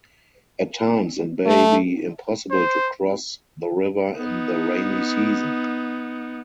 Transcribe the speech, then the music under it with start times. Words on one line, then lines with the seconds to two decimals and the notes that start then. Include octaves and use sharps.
At times it may be impossible to cross the river in the rainy season.
1.46 A3
2.51 C5
4.18 B3 D#4